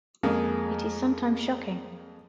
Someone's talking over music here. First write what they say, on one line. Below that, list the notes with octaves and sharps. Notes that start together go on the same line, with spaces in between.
It is sometimes shocking.
F2 G#3 A#3